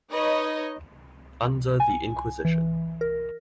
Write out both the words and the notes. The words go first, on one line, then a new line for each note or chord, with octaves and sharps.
Under the Inquisition.
D#4 B4 C#5 D#5
G#5
E3
A#4